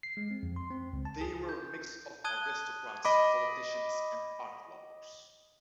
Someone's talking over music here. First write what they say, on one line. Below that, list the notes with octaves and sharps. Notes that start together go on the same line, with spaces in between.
They were a mix of aristocrats, politicians and art-lovers.
C7
G#3
C4
F2
C6
C4
C#2
A5
G#4
G6
A5 D#6 F#6 G#6 D#7 G7
D#5 B5 D6